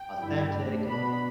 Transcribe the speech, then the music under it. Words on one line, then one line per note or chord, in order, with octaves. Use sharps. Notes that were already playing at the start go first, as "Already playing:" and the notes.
authentic and
Already playing: G5
G2 D3 G3 E4
A2 A3 D4
B2 B3 D4 B5